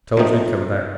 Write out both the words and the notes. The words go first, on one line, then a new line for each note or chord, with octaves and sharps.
"Told you he'd come back."
C3 F3 A3 C4 D#4